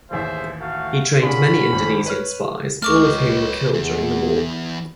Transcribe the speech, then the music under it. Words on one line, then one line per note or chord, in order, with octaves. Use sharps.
He trained many Indonesian spies, all of whom were killed during the war.
A1 D#2 G#4 C5 E5
A3 F#4 F5
A#2 C#4 D4 F#4 G#4 B5
G#1
B4 C#5 F6
C#2 A3 A#4 C#6 D6 F6
B4 C#5
E2 E3 B3